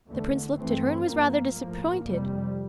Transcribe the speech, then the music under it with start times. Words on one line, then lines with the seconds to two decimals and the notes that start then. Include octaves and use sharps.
The prince looked at her and was rather disappointed.
0.09 E2 D3 A3
0.57 G2 E3 A3 C4
1.05 G2 F3 A#3
1.55 A2 F3 A#3
2.04 F2 C3 G3